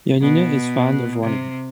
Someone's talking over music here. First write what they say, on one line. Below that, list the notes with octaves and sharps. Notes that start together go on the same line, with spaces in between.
Yanina is fond of running.
B2
C3